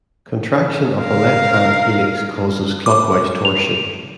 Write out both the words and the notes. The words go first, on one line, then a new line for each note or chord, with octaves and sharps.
Contraction of a left-hand helix causes clockwise torsion.
A#4 F5
D6
F7